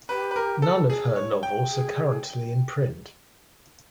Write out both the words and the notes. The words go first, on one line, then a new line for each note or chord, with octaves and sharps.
None of her novels are currently in print.
G4 B4
B4
A#4
A4
G#4
C#5
G5
G#4